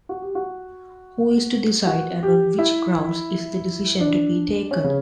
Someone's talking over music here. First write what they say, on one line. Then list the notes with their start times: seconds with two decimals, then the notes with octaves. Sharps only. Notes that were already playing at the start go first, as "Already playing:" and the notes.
Who is to decide, and on which grounds is the decision to be taken?
0.09 F#4
0.22 G4
0.35 F#4
1.87 F#4
2.23 G4
2.58 E4
4.00 D4
4.71 C#4
4.84 C#3